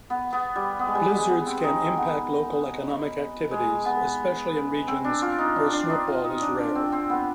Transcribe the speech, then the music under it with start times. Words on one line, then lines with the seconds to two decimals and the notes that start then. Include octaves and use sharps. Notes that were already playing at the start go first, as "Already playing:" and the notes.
Blizzards can impact local economic activities, especially in regions where snowfall is rare.
0.10 B3
0.32 B3
0.56 G3
0.79 B3
0.87 G#3
0.95 G3
1.12 G#3
1.30 B3
1.46 C4
1.64 D#4
1.80 C4
1.97 B3
3.51 G#3
3.85 B3
4.88 C4
5.04 D4
5.22 F4
5.38 D#4
5.56 D4
5.73 D4
5.90 D#4
6.07 F4
6.24 D#4
6.41 D4
6.59 D4
6.75 C4
6.92 C4
7.10 B3